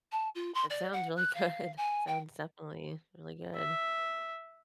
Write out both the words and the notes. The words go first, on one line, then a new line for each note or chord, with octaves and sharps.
it sounds really good. Sounds definitely really good.
A5
F4
C6
D5
F#5
F#6
F5
G#5
G5
E5